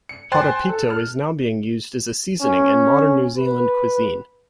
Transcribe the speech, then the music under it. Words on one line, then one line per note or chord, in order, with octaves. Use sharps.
Horopito is now being used as a seasoning in modern New Zealand cuisine.
C#7
C5 G5 G#5 C6 F#6 A6
A4
F6
C#4
B4